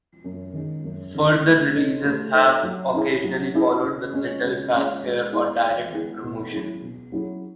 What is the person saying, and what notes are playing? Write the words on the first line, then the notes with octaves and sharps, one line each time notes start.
Further releases have occasionally followed, with little fanfare or direct promotion.
F#2
D#3 G#3 C#4
F#2
D#3 G#3 C#4
A3
D#4 A4 C#5
A3
D#4 A4 C#5
F#3
C#4 E4 G#4
F#3
C#4 E4 G#4
C#3
G#3 C#4
C#3
G#3 C#4
G#3
B3 E4 G#4
G#3
B3 E4 G#4
B2
F#3 C#4 E4 G#4
B2
F#3 C#4 E4 G#4